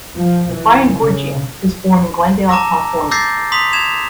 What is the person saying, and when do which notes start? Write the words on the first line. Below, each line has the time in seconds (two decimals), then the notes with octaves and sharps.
Brian Goorjian was born in Glendale, California.
0.16 F3
0.52 E3
0.96 C#3
2.49 A5 A#5 D6 E6 A#6
3.11 D6 E6 G6 A6 A#6 C7
3.52 C6 D#6 B6 F7
3.73 G#6 E7 F7